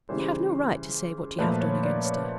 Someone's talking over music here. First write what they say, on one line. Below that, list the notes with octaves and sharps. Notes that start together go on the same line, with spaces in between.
You have no right to say what you have done against her.'
C#3 E3 G3 C5
A#2 F3 A3 B4
C#5
D5
C#5